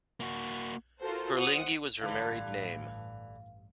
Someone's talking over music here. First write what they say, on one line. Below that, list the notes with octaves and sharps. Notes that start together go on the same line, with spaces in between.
"Perlinghi" was her married name.
A#3 F#4
F4 F#4 A4 A#4 C5
C5 F#5 D#6 C#7
A1 G2 D3 E3 G4 F5